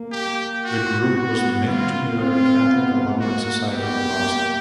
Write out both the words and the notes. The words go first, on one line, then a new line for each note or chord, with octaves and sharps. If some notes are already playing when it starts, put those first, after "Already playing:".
The group was meant to mirror the Catholic Alumni Society of Boston.
Already playing: A#3
G4
F#4
B3 F#4
F4
C4 F4
B3
A#3 F#4
B3 G4
A#3